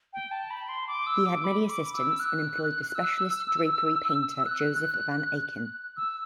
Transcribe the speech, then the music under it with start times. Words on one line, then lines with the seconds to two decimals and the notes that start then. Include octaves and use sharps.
He had many assistants, and employed the specialist drapery painter Joseph van Aken.
0.13 G5
0.31 A5
0.50 B5
0.69 C6
0.87 D6
1.07 E6
1.26 D6
1.44 B5
1.70 D6
1.94 E6
2.20 F#6
2.95 E6
4.46 F#6
5.97 E6